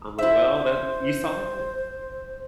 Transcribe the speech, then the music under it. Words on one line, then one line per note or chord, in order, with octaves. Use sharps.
I'm like, “Well, that “you saw that?
E4 C5 E5